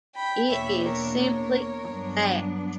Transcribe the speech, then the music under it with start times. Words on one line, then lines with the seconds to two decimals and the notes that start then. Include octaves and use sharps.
It is simply a fact.
0.16 G5 B5
0.50 E2 B2 A#3 D4 C#5 E5
0.84 A#4 C#5
1.18 A#4 C#5
1.86 G2 F#3 B3 D4